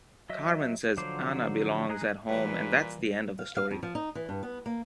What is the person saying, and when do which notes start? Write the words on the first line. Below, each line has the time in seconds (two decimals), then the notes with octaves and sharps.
Carmen says Ana belongs at home and that's the end of the story.
0.30 F#3 D#5 E5
0.97 D3 F3 F#3 C5 D6
1.89 G#3 D#4 G#4 A#5 F#6
2.29 G2 A#2 E3 B4
3.39 F5
3.57 F5
3.71 F2
3.83 F3
3.95 D#4
4.15 E3
4.29 G2
4.43 B3
4.66 A#3